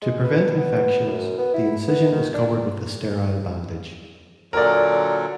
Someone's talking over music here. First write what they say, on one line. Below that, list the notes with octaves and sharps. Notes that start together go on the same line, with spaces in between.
To prevent infections, the incision is covered with a sterile bandage.
G#3
B4
B3
F#2
B3
E4
B3
D#3
D4
A#2 D3 F#3 A#4 D5